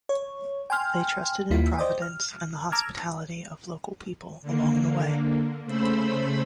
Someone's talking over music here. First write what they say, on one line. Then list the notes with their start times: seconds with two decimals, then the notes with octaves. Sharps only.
They trusted in Providence and the hospitality of local people along the way.
0.09 C#5
0.70 G5 G#5 C6 F6
1.50 D#2 A#3 E4 F4 B6
1.78 C5 D5 D#5 G5
2.02 F6
2.72 A5 A#5 D6 E6 F6 G#6
4.42 D3 A#3
5.65 C#3 A3 C5 B5 E6